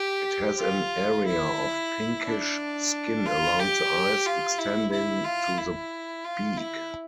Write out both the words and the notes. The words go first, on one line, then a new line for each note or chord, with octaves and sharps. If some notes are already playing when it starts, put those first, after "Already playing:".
It has an area of pinkish skin around the eyes extending to the beak.
Already playing: G4
F4
E4
D4
F4
G4
F4
E4
E4
F4
E4
F4
E4